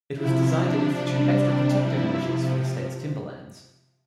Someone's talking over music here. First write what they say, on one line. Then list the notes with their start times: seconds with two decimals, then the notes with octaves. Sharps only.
It was designed to institute extra protective measures for the state's timberlands.
0.15 C3 F3 E4
0.57 D4
0.98 C3 G3
1.82 C3 F3 E4